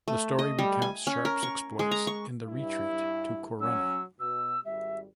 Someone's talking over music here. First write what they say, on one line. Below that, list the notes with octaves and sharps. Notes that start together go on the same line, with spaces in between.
The story recounts Sharpe's exploits in the retreat to Corunna.
A3
D#5
G3
G#5
C#4
A#4
C#6
G#3
A#5
C#6
G2 E4
F#3 C#4 E6
B2 E6
G#1 G3 E5